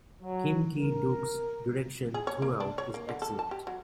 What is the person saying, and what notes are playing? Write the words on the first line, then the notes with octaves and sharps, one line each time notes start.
Kim Ki-duk's direction throughout is excellent.
F#3
A#4
G#4
C#5
A#3
D4
C#5
A#3
D3
A4
A5
G4
F#3